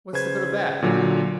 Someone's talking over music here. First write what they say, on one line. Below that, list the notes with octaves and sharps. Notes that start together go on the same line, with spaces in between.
What is the good of that?
C#3 B4 C5 G#6
A#2 D3 F#3